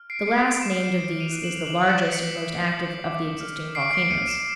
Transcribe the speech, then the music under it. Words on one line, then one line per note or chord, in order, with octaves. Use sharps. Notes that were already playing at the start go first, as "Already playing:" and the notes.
The last named of these is the largest and most active of the existing volcanoes.
Already playing: F6
C7 D7
D6 C#7 D#7
G6 D7 E7
D#6 D7 E7
D#7 F7
F#6
E7 F#7
D6 E7 F#7
B6 C#7
G6
B6 C#7
D#6
G6
D6
F6
D6 C7 D7
C7 D7
F6 C#7 D#7
D7 E7